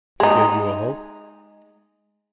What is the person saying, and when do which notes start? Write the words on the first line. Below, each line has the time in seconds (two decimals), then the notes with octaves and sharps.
"He gave you a hope?"
0.20 G#3 D#4